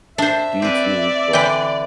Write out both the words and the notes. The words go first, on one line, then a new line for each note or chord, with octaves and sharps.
due to blank."
D4 C5 E5
C4 B4 D5
D3 E3 B4 G5